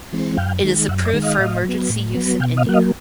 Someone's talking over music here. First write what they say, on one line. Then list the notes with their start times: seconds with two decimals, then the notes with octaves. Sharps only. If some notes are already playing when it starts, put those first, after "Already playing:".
It is approved for emergency use in India.
0.13 E3 G#3 C4
0.37 F#2 F5 G5
0.64 D#3 G#3
0.88 F#2 E5 F#5
1.05 D5 E5
1.14 D#3 G#3
1.22 D#5 F5
1.39 A2
1.65 F#3 B3
1.90 A2
2.15 F#3 B3
2.40 B2 F5 G5
2.57 D#5 F5
2.66 F#3 A#3 F#5
2.74 D#5 F5